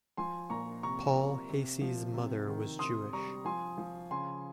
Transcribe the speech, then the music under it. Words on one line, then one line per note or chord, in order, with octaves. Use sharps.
Paul Heyse's mother was Jewish.
F3 G#5 C6
A#2 A#5 C#6
C3 A#5 C#6
C3
C3
F3
C3
D#3
C3 C6 D#6
G3 A#5 C#6
F3 G#5 C6
F3
C#3 G#5 C6